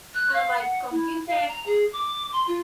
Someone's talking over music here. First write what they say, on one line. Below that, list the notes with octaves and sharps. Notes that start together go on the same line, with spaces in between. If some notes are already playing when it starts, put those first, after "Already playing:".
Uh, like,, "computer"
F#6
F5
F#5
E4
F5
A#5
G#4
D6
C6
F4